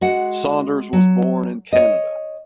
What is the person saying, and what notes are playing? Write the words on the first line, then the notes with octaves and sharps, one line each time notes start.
Saunders was born in Canada.
G#3 F#4 F#5
F#3
C#5 D#5